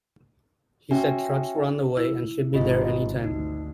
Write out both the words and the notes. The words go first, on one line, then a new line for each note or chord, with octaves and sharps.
He said trucks were on the way and should be there "any time".
C#4 F#4 E5 G5
E4
G#1 B2 F4 G4 D#5
D2 D#4